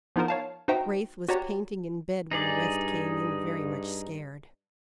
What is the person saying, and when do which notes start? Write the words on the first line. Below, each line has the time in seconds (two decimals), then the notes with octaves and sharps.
Braith was painting in bed when West came in very much scared.
0.16 F3 B3 D#4 F4 A#4 C5
0.28 C#5 F5 A5
0.68 D#4 F#4 C5 E5 G5 A#5
1.29 F#4 G4 C#5 D5 A#5
2.31 G2 D#4 G#4 D5